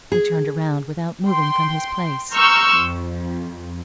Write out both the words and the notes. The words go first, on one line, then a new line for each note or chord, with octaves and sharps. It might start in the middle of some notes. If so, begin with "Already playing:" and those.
He turned around without moving from his place.
G#4
G5 C6
A#5 C6 C#6 E6 F6 G6
F2